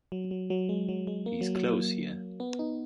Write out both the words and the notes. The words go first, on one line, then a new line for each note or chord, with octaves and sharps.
He's close here.
F#3
F#3
F#3
G#3
F#3
G#3
A#3
F#3
F#3
A#3
B3
D#4